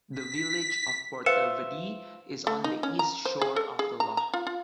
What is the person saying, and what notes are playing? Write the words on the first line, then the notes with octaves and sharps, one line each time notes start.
The village of Portavadie is on the east shore of the loch.
B6
F4 B4 C5 E5 F5 C#7
A3
D#4
C#4
A#5
C5
G#4
A4
G#4
A#5
A#5
F4
F4